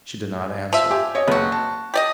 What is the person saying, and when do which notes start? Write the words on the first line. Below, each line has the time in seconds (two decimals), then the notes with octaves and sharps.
She did not answer.
0.73 F3 E5
0.90 G4 G#5
1.15 C#5 D#5
1.28 F#1 B3 F#4
1.52 A5
1.94 G4 D5 D#5